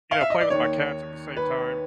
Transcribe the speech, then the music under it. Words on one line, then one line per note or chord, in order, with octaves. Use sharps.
you know, play with my cats at the same time.
F5
E5
D#5
D5
D#2 D#3 C#5
B4